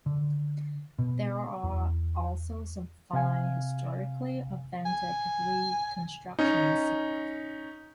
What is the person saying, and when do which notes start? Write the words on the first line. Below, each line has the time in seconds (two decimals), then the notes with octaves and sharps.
There are also some fine, historically authentic reconstructions.
0.06 D3
0.99 B2
1.63 E2
3.13 C3 F5 G#5
4.85 G#5
6.39 C#4 D#4